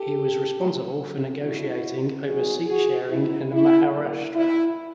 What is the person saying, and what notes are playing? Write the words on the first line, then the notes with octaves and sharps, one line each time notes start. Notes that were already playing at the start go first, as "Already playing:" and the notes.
He was responsible for negotiating over seat-sharing in Maharashtra.
Already playing: G4 A4
A2 F#3 A3 C#4
G2 D#3 F#3 A3 D4 E4 F#4
A#2 F#3 B3 D#4 F#4 G#4
F#4 G#4
F#2 D#3 F#3 B3 D#4 E4
E4
A2 F#3 A#3 D4
E4